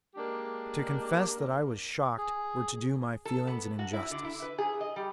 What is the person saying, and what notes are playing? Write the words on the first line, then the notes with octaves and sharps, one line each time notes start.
To confess that I was shocked were to do my feelings an injustice.
G#3 A#3 D4 G4
G#4
A4
B3
F#4
E4
D3
E4
B4
G#4
D#5
G3